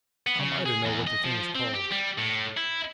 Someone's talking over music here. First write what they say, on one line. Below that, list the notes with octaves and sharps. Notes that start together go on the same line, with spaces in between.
'How am I to know what the thing's called?
B3
C#3
G#4
E2
D#5
F3
C4
G4
G3
A2
E4